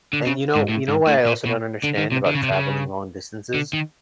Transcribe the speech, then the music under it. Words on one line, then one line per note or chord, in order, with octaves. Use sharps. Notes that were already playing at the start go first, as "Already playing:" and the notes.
And you know you know what I also don't understand about traveling long distances?
D3
C#3
G#2
A2
G#2
A2
A#2
B2
D3
D#3
C3
D3
C#3
C3
C#3
D3
D#3